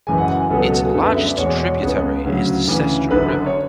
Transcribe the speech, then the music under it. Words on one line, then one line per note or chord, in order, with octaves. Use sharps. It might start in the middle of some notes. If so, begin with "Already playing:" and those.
Its largest tributary is the Sestra River.
F#1 F#2 E3 G#3 G#5
F#5
F#5
G#5
C#2 B2 F#3 B3 A4
A4
F#4
G#4
F#2 D3 G#3 B3 A4
B4
E5
D5
E2 B2 G#3 C#5
D5
C#5
C#2 C#3 G#3 B3
D2 C#3 F#3
D2 C#3 E3
F#1 F#2 D3 B4
C#5